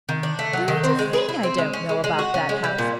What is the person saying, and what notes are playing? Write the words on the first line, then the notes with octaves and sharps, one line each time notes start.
There ain't a thing I don't know about that house.
D#3
D4
A3
F#3
D#3
C4
G#3
G#4
E4
C4
G#3
C#4
G#3
G#3
F#4
C#4
G#3
G3
A#2